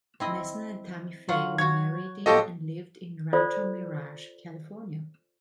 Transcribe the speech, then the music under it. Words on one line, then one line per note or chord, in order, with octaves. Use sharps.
Messner and Tammy Faye were married in and lived in Rancho Mirage, California.
C4 E4 D#5
F#3 F4 F#5
F#4 C#5 G#6
A2 F3 F#4 G4 A4 D#5
F4 A4 C5 D5